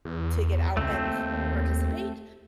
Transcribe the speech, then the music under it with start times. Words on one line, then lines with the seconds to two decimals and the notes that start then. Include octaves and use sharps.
to get out and participate.
0.05 E2
0.77 C#2 A3 C4
1.02 D#2